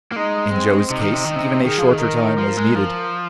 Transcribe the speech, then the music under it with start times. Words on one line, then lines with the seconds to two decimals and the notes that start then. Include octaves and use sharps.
In Joe's case even a shorter time was needed.
0.12 A#3
0.16 G#3 D#4
0.54 C4
0.90 C3 D#4
1.01 D#3
1.13 C3
1.25 D#3
1.36 C3
1.65 D#3 G#4
1.78 F3
1.91 D#3
2.01 A#4
2.38 F3
2.57 G#3
2.75 F3